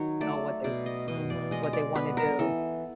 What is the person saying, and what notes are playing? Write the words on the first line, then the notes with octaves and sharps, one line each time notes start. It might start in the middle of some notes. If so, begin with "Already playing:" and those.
Now what they Mhm, what they wanna do.
Already playing: D#3 F#3 F#4 C#5
A3 D5
B2 D5
D#5
B2 D#5
D5
G#3 D#5
D#5
D5
B3 B4
A#4
E3 A4